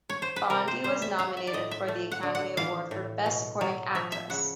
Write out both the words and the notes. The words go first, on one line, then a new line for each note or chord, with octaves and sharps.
Bondi was nominated for the Academy Award for Best Supporting Actress.
C#5
C5
B4
C3 A#4
C5
G3 C5
E5
F#3 F5
E5
D5
A2 D#5
E5
A3
F#5
D3
F#5
E3 F5
A2
B2
F#3
F3 E5
E5
C#3 F#5